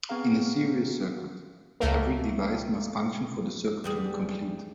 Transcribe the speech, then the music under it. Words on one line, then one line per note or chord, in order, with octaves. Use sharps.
In a series circuit, every device must function for the circuit to be complete.
B3 C4 G#4 F5 A#5
C#2 A3 A#3
E2 G3 G#4